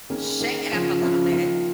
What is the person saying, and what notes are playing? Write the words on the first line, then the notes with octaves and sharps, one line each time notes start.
shake it up a little bit.
D#3 A#3 C#4 G#4
D#3 A#3 C#4 G#4
C#3 F3 C#4 F4
C#3 F3 C#4 F4
D#3 A#3 F4